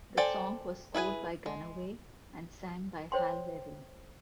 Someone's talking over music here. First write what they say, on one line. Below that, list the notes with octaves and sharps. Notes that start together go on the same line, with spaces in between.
The song was scored by Gannaway and sang by Hal Levy.
A4 C5 D5 G5 G#5
E4 G#4 B4 G#5
G#3
C5 C#5 G5 C6